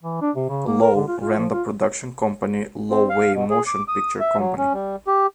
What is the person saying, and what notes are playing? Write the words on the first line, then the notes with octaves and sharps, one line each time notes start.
Lo ran the production company "Lo Wei Motion Picture Company".
E3
D4
C3
C#3
A#3
A#4
D3
F4
F4
F3
F4
C4
F5
B2
G#4
D6
D#6
E5
F#3
C#4
G3
G4